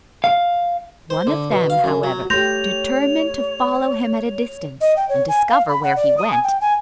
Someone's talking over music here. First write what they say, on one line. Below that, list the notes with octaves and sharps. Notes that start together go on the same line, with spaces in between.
One of them, however, determined to follow him at a distance, and discover where he went.
F5
C5
D3
B2
F5
F#2
F#3
A3 G4 C#5 C6 G6 A#6 F7
D#5
G5
C#5
G#5
F5
B5
F#5
D5
D#6
G#5
G5
G#5